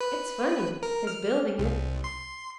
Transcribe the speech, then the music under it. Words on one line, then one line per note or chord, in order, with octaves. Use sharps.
"It's funny--his building it."
B4
A#4
F6
C2
C6